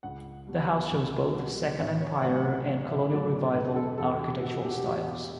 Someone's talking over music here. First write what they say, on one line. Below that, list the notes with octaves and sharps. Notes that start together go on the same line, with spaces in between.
The house shows both Second Empire and Colonial Revival architectural styles.
C#2 F#5
B2 G3
C#2
B2 G3
A1 E5
C#5
A2 F#3 F#5
F#5
A1 F#5
E5
A2 F#3 D5
E1 B4
A4
E2 B2 A4
G4
E1 F#4
G4
F#4
G4
E2 B2 F#4
G4